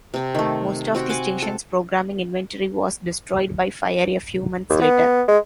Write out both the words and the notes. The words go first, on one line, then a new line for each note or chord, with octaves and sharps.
Most of the station's programming inventory was destroyed by fire a few months later.
C3 C4
D#3 A3
C4 F#4 G5
F#5 G#5 D6
A4
D#2
B3
G#3